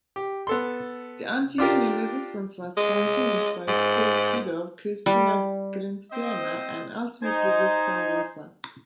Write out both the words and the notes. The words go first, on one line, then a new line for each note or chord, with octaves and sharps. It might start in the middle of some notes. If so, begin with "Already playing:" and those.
The anti-union resistance was continued by Sture's widow Christina Gyllenstierna and ultimately Gustav Vasa.
G4
B3 A4 C6
D4 F4 G4 A#4
G#3
G#2
G3
C4 C5 D#5
D#4 C5 G#5